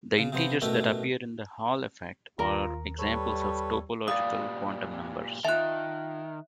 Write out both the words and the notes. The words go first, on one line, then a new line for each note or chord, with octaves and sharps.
The integers that appear in the Hall effect are examples of topological quantum numbers.
C#3
C3 F3 B3 C5
A1 B2 A3 G4 A#4 E5
D#2 F4 A#4
G3 A4 B4 C#5
G2 A#2 G3 D5 F5 D#6
D#3 F4 E5 A5 F#6